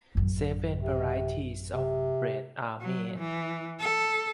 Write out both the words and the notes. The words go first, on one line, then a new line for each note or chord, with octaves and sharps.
Seven varieties of bread are made.
A1 F#2
C3
C3
F#3
E3
A4